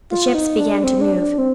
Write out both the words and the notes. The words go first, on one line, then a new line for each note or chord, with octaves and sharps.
The ships began to move.
F4
D#4
D4
C4
D4
D4
C4